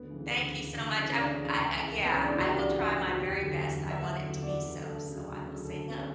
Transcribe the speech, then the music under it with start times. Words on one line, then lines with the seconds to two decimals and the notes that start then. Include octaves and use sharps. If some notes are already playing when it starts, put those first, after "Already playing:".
Thank you so much. I w I I Yeah, I will try my very best; I want it to be so, so I will say no.
Already playing: D2 B3
0.10 C#3 E3
0.31 D2
0.52 C#3 E3
0.72 D2
0.94 C#3 E3
1.10 C#4
1.13 D2 D4
1.34 C#3 E3
1.54 C#2
1.75 C#3 E3
1.96 C#2
2.04 B3
2.12 C#4
2.16 C#3 E3 D4
2.28 E4
2.37 C#2 F#4
2.47 G4
2.57 C#3 D5
2.61 E3
2.68 F#5
2.78 C#2 F#5
2.99 C#3 E3
3.08 F#4
3.19 E2 G4
3.39 D3 F#3
3.61 E2
3.81 D3 F#3
3.91 E5
4.01 E2 F#5
4.22 D3 F#3
4.42 E2 D5
4.63 D3 F#3
4.83 D2 A4
5.04 C#3 F#3
5.24 D2
5.45 C#3 F#3
5.65 D2 A4
5.86 C#3 F#3 B3
5.98 C#4